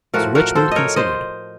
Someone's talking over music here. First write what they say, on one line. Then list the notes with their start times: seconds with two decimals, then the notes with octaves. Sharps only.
Sir Richmond considered.
0.13 A2 F3 F#4 A#4
0.35 F#4 A#4
0.55 A4 C5
0.71 A#4 C#5 D#5
0.96 C5 D#5